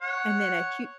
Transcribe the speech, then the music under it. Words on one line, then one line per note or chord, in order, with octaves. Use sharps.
and then a hu
C#5 F#5